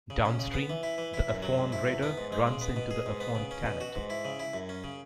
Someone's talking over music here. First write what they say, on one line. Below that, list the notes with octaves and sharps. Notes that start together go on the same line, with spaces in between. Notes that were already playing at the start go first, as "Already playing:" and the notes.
Downstream, the Afon Rhaeadr runs into the Afon Tanat.
C#3
C#4
C#3
B3
E3
E4
E3
E4
F#2
F#3
G#2
E4
E2
B3
G#2
G#3
C#3
B3
B2
G#4
G#2
B3
C#3
C#4
B2
F#4
G#2
E4
C#3
E4
F#2
C#4
C#3